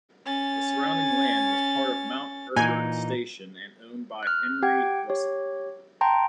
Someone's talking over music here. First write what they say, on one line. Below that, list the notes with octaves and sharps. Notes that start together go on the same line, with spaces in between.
The surrounding land was part of Mount Herbert station and owned by Henry Russell.
C#4 A6
A#2 E3 D#4 G#5
F6 F#6
G4 F#5 G5 G#6
G4 C#5
G5 A5 A#5 C6